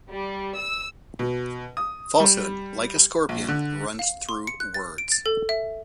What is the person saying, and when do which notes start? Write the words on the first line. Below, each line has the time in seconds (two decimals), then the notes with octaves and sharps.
Falsehood, like a scorpion, runs through words.
0.11 G3
0.59 E6
1.19 B2
1.77 D#6
2.20 G3
3.29 A#1
3.48 D3
3.99 F5
4.29 C6
4.47 C#7
4.60 F#6
4.74 A6
4.98 D7
5.12 A6
5.26 A4
5.49 E5